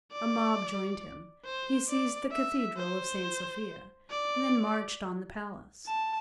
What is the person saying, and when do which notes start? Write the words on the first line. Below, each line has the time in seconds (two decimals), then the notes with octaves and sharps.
A mob joined him, he seized the Cathedral of St. Sophia, and then marched on the palace.
0.13 D5
1.45 C5
1.89 D5
2.32 E5
2.77 C5
4.10 D5
5.86 A5